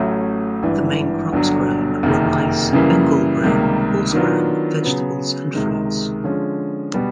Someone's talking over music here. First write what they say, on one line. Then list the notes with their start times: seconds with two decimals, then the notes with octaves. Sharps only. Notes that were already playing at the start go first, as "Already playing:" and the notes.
The main crops grown were rice, Bengal gram, horse gram, vegetables and fruits.
Already playing: A1 A2 F#3 A3 C#4
0.63 G#1 G2 E3
1.32 G1 G2 D3 F#3
2.03 F#1 F2 C3 D#3
2.73 F#2 C#3 E3 G3 A#3
3.43 C#2 C3 D#3 G3 A#3
4.13 D#3 F#3 B3 D4 F4
4.83 C#3 F#3 B3
5.54 C#2 C3 D#3 G#3
6.24 D3 F3 G#3 C#4
6.94 B2 G3 B3